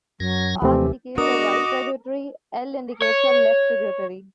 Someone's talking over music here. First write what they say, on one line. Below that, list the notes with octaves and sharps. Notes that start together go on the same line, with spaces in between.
R indicates a right tributary, L indicates a left tributary.
F#2 F#3 G#6 A#6
D#2 C3 E3 F3 A3 C4 G4
B3 D4 F#4 A#4 D#5 D6 D#6
C#5